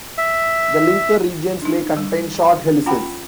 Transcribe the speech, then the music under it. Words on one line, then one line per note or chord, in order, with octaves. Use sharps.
The linker regions may contain short helices.
E5
D4 D#4
G3
F4
C#4 F4 F#5 G5 B5